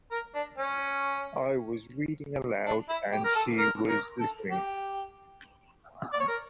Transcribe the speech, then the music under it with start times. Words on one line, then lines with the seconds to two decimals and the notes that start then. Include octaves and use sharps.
I was reading aloud, and she was listening.
0.11 A#4
0.35 D4
0.58 C#4
2.66 D4
2.89 E4
3.12 G4
3.24 A#4
3.35 A4
3.58 A#4
3.89 A#4
4.20 A4
4.51 G4
6.13 D5
6.20 C#5
6.28 A#4